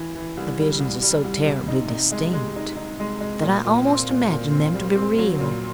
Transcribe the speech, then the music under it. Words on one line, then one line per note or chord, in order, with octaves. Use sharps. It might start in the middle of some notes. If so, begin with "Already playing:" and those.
The visions are so terribly distinct that I almost imagine them to be real.
Already playing: E3
E3
C2
G3
C2
G3
C2
C3
D#4
D#4
G#3
G#3
D#4
D#4
G#3
G#3
A#2
A#2
C4
A#2
A#2
C4
G3
C4
F#3
A#2